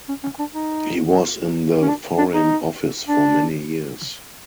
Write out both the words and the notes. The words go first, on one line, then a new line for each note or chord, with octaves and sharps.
He was in the Foreign Office for many years.
C#4
C#4
D4
D#4
C#4
D4
D4
D#4
D4